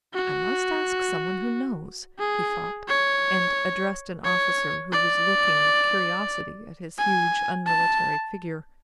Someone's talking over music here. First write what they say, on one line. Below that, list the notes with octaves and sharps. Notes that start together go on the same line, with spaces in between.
"I must ask someone who knows," he thought, and addressed an officer who was looking with curiosity at his huge unmilitary figure.
F#4
G#4
C#5
C#5
D5
G#5
A5